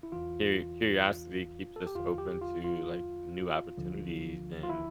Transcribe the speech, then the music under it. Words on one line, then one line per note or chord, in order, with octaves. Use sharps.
Curi curiosity keeps us open to, like, new opportunities, and,
E4
E2 E3 F4
A4
G4
E2 D3 F3 F4
G4
F4
F4
D2 D3 F3
F4
E4